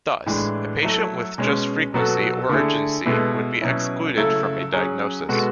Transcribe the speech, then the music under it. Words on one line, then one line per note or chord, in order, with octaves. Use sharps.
Thus, a patient with just frequency or urgency would be excluded from a diagnosis.
A2 E3 G#3 D4
F#3 A3 E4 A4
B2 G#3 C#4
B2 F#3 B3 F#4 A4
D3 A3 E4 G#4
B2 G#3 B3 E4 A4
B2 F#3 C#4 E4
C#3 F#3 A3 E4 A4
F#3 C#4 G#4
B2 G#3 B3 F#4 A4